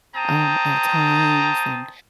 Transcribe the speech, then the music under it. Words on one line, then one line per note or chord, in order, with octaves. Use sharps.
um, at times, and
C4 G5 A5 A#5 D#6